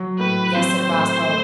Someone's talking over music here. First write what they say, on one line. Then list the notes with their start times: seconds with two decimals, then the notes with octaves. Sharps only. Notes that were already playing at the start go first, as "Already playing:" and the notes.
"Yes," said Roscoe.
Already playing: F#3
0.19 A2 B4
0.54 C4 C5
0.91 A2
1.26 A3